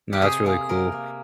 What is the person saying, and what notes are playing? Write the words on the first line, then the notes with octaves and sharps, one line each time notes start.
Nah, that's really cool.
G4
C3 G#4
A#3 G#4
C3 A#4
A#3